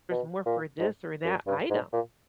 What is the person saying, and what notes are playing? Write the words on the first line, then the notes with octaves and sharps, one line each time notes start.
more for this or that item."
B2
A#2
G#2
F#2
G2
G#2
A#2